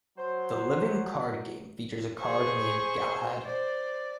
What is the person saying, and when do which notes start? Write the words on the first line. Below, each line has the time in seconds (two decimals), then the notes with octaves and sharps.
The living card game features a card named Galahad.
0.18 F#3 C5
2.19 G#4 C5 C#6
3.46 C5 D5